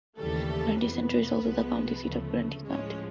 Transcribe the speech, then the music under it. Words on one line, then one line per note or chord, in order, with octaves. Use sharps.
Grundy Center is also the county seat of Grundy County.
D#2 C#3 E3 G3 A3 A4
F2 C3 E3 B3 B4
C2 C3 F3 G#3
D2 C#3 F3 A3
A2 F3 G#3 C#4 C#5